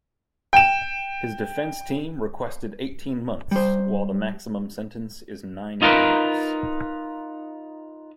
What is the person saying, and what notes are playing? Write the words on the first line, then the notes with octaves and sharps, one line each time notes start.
His defense team requested eighteen months, while the maximum sentence is nine years.
G5 E7
G3 C5
D#4 F4 A#4 B4